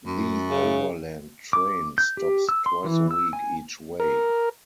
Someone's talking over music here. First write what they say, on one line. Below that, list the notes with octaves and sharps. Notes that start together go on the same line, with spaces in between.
"The Overland" train stops twice a week each way.
F#2
C#3
D6
G6
G4
E6
C6
E3
E6
G#5
A#4